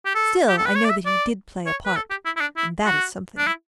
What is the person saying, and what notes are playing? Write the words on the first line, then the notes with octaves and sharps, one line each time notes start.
Still, I know that he did play a part, and that is something.
G4
A4
G4
A4
B4
C#5
D5
E5
D5
C#5
B4
A4
G4
E4
E4
D4
E4
F#4
D4
E4